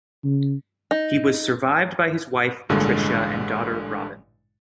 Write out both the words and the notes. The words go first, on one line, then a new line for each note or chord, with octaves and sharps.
He was survived by his wife Patricia and daughter Robin.
C#3
D#4
A1 G2 A#2 D3 G#3